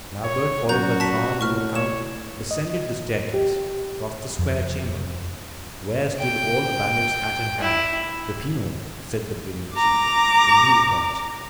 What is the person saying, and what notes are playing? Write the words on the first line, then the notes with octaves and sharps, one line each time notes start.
And Albert, followed by Franz and the count, descended the staircase, crossed the square chamber, where stood all the bandits, hat in hand. "Peppino," said the brigand chief, "give me the torch."
C#5
F#2 F#4 A#5 G6
A5 B6
A2 C#6 F6
C#5 E7
D#5
G4
F2
G5
E4
A#5 D6